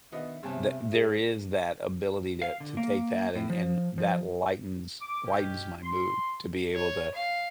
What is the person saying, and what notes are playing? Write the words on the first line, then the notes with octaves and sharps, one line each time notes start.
the there is that ability to to take that and and that lightens lightens my mood to be able to
B2 D#3 B3 D4 D#5 E5 F#5
E2 G2 C3 C#5 G#5 A5
G#2 G#4
F5
D3
A#3
A2
F3
F3
D6
B2 C#4 G4
C6
C#5
F5